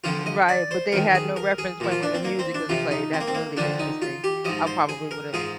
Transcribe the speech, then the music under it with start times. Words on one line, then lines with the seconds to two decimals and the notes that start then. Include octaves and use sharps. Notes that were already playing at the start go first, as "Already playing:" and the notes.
Eh right, but they had no reference point when the music was played. That's really interesting. I probably would've
0.04 F2 D3 F3 F4
0.26 D#5
0.49 D5
0.71 C5
0.92 F2 D#3 A#4
1.15 G#4
1.36 A#4
1.58 G#4
1.80 A#2 F3
1.91 F4
2.03 D4
2.14 C4
2.24 A#3
2.39 C4
2.54 D4
2.69 F2 C3 F3 F4
2.91 D#4
3.13 C4
3.20 A#3
3.28 C4
3.34 A#3
3.57 F2 D3 F3 D4
3.79 D#4
4.02 F4
4.24 G4
4.45 G#2 F3 D#5
4.67 C5
4.89 G#4
5.11 A#4
5.33 G#2 F3 G#4